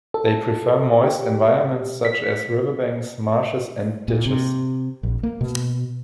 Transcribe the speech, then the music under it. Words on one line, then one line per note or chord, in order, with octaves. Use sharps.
They prefer moist environments such as riverbanks, marshes and ditches.
A4
G4
B6
A#2
C3
A#1
A#3
B2